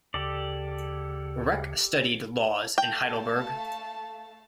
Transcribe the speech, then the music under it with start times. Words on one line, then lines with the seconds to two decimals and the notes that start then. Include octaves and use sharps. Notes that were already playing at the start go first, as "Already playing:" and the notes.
Rech studied laws in Heidelberg.
0.14 D2 C#3 G4 A4 D5
2.78 A3 F5 G5 A5